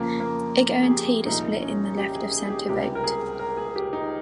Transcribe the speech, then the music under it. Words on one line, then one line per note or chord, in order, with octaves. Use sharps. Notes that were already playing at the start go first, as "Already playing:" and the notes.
It guaranteed a split in the left-of-centre vote.
Already playing: F2 C#3 F3 A#3
A#3
G#4
G4
C2 A#2 F3 D#4
C#4
G4
G#4
G#4
G#4
G4
C#2 C3 G3 G4
A#4
G#4
A#4
G#4
G4
D#4